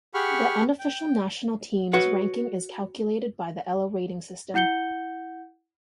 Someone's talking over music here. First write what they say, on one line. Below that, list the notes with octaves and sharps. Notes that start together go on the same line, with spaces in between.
The unofficial national teams ranking is calculated by the Elo rating system.
G4 G#4 F#5 B5 C#6 F6
G5
F#4 B4 C#5 F#5
E4 F#5 G6 C#7 G7